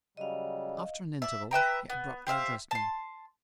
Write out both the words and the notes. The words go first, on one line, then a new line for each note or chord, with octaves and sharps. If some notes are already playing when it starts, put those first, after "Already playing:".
After an interval, he abruptly addressed me.
C#3 F#3 G3 D#5 F5
D5 E5
B4 E5 G5 A#5
B3
G4 C5 E5 F5
A5 C6